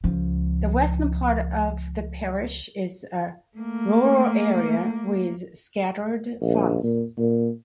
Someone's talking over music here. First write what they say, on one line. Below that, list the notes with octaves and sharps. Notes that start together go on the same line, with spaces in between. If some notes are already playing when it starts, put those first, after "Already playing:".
The western part of the parish is a rural area with scattered farms.
C#2 F3
A3 A#3
A#1
A#2
A#2